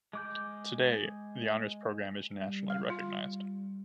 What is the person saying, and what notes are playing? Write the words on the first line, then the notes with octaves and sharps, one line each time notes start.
Today, the Honors Program is nationally recognized.
G#3 D6 G6
G3
F5
G3 F4